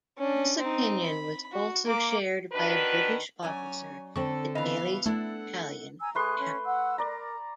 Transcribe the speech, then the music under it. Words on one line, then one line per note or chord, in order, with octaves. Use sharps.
This opinion was also shared by a British officer that Daly's battalion had captured.
C#4 D4
C4 D#4
B5
F#4
A#3 D6
D#3 D4 F#4 B4
F#3 C#4 C#5 D5 G#5
D3 C4 A4 C#6
C#3 E3 B3 D#5 F5
A3 D4 E4 A4 F#5
G#5 A#5 E6
A3 G#4 B4 C6 F#6
C#4
F#5 E6
A#4 D5 A#5